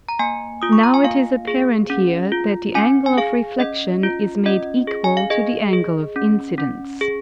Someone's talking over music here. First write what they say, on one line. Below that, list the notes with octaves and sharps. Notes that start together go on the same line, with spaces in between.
Now it is apparent here that the angle of reflexion is made equal to the angle of incidence.
A#5
A#3 G#5
F4 D#6
C#6
A#5
G#5
A#3 F5
G#4
C#4
F4
C#4 G#5
G#5
G#4 F5
C#4 D#5
F4
C#4 D#5
G#4
G#5
F5
G#4 D#5
G#4
C#4
C#4
G#4